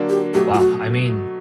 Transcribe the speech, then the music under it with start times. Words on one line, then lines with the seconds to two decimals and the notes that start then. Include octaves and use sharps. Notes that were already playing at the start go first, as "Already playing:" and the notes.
Wow, I mean,
Already playing: D3 F#3 A#3 D4
0.09 G4
0.34 B2 F#3 A3 G4
0.54 F4
0.59 F#4